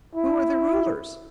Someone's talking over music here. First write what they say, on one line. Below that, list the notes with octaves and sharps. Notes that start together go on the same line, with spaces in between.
Who are the rulers?
E4